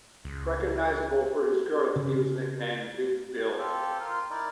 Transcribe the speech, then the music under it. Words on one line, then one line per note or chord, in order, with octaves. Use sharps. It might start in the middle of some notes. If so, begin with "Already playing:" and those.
Recognisable for his girth, he was nicknamed "Big Bill".
C#2
C#3
C4 F4 G4 A4
F4 A#4 C6
D#4 E4 A#4 D5